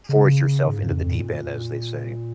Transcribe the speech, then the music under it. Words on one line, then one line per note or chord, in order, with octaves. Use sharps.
force yourself into the deep end, as they say.
C#3
G#2
F2
F2
A#2